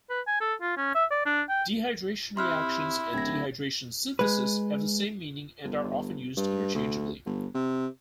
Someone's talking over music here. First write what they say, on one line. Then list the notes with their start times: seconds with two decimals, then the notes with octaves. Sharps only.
Dehydration reactions and dehydration synthesis have the same meaning, and are often used interchangeably.
0.10 B4
0.27 G#5
0.41 A4
0.61 F4
0.77 C#4
0.95 E5
1.11 D5
1.26 D4
1.49 G5
2.37 C3 E4 C6 F6 F#6
3.13 D1 G#6 A#6
4.19 G#3 B4
5.64 G1
6.37 G2
6.75 D2
7.26 G1
7.54 C3